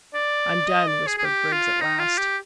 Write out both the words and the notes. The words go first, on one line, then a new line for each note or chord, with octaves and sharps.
"I'm done," whispered Griggs at last.
D5
D#5
D5
G#4
G#4
G4
F4
D#4
F4
G4